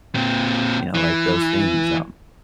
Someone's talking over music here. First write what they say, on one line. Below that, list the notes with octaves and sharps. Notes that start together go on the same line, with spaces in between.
you know, like those things, um
A#2 C4
E3